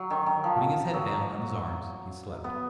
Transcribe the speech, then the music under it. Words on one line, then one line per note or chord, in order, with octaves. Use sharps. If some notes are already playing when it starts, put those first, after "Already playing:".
Putting his head down on his arms, he slept.
Already playing: F#3
D#3
D#3
F3
F#3
B3